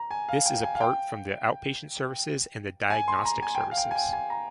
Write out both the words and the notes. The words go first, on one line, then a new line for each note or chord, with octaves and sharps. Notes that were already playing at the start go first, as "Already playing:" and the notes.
This is apart from the outpatient services and the diagnostic services.
Already playing: A#5
G#5
F5
G5
G#5
F5
G5
G#5
C6
A#5
G#5
G5
G#5
F5
G5
G#5
G5
G#5
A#5